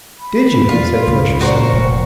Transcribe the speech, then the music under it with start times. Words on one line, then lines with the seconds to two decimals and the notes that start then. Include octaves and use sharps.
"Did you?" said Felicia slowly.
0.19 B5
0.69 F4
1.07 C#2
1.41 A#2 F#4 A#4 C5 C#6
1.73 F1